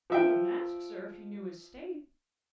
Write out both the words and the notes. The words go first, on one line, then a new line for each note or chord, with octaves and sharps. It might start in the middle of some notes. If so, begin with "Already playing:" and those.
'You wouldn't ask, sir, if you knew his state.
F3 E5 G5